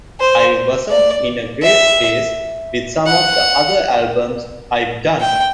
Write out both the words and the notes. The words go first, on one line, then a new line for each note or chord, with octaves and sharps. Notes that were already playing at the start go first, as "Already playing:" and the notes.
I wasn't in a great space with some of the other albums I've done.
C5
D5
E5
F#5
G5